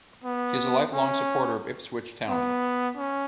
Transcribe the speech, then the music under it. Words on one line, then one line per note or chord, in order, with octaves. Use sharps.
He is a lifelong supporter of Ipswich Town.
B3
C#4
B3
C#4